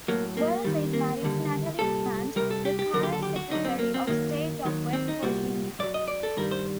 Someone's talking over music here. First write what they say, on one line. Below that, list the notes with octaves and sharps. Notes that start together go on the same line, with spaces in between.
Wells is married to Natalie Tennant, the current Secretary of State of West Virginia.
A2 F#3 A#3
A#3
D#2 D#3 G3
A#3
D#2 D3 G3
C2 A#2 G3 A4
C2 A#2 G3 A#4
A4
G4
G4
D#2 D3 F#3 A#4
G4
A4
G4
F#4
D2 D3 F#3 D#4
C4
A#3
C4
F#2 D#3 F#3 A#3
D#2 D#3 F#3
C4
D#4
C2 A#2 G3 F#4
F#2 F#3 D5
D#5
D5
A4
G2 D#3 G3 A#4
C5